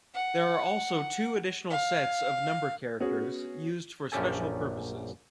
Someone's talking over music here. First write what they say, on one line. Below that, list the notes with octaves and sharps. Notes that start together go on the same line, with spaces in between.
There are also two additional sets of number characters used for special purposes.
F#5
F5
B3 C#4 F#4 G#4
A#1 F#2 C#4 G4 A4 G#5